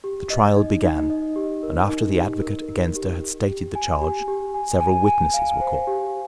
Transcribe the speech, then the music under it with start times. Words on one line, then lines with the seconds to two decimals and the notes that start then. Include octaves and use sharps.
The trial began, and after the advocate against her had stated the charge, several witnesses were called.
0.04 G4
0.30 D#5
0.57 D#4
0.84 D#4
1.10 D#5
1.36 G4
1.63 A#4
1.89 D#4
2.15 G4
2.42 A#4
2.69 A#4
2.95 G4
3.22 G4
3.48 G4
3.75 G#5
4.01 G4
4.28 G4
4.54 G#5
4.80 G#5
5.07 G#5
5.34 F5
5.61 C5
5.87 G4